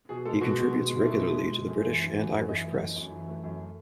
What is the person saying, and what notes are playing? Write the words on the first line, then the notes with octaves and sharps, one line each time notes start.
He contributes regularly to the British and Irish press.
B2 G#4
G#3 A4
B2 F#4
G#3
B2
G#3
D#4
B2 E4
G#3
B2
G#3
F#2
E3
A3
F#2
F#2 F#4
E3 D#5
E5
A3
D#5
F#2
F#2
E3
A3
F#2